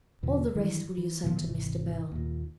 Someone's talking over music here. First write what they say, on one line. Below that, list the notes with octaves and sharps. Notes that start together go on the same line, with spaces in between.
All the rest will you send to Mr. Bell?
E2 B2 D3 F3
G2 D#3 E3 F#3
E3
A#2 D#3 F3 B3
G#1 C3 E3
D#2 A#2